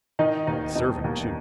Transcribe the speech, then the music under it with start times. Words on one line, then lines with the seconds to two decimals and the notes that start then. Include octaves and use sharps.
A servant too.
0.19 D#3 D#4 D#5
0.47 D#2 D#4 D#5
0.75 E1 D#4 D#5
1.04 D#2